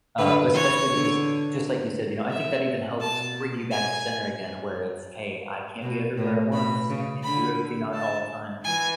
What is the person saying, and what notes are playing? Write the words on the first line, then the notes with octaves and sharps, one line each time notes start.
Uh, especially because just like you said, you know, I think that even helps bring you back to center again, where it's, "Hey, I can't be everywhere at once, I can't do everything at all the times."
D3 B4
E3 C#5
D3
E5
B2 A5
G#5
B2
A2
B2 B5
C#3
D3 B5
A5
E3 G#5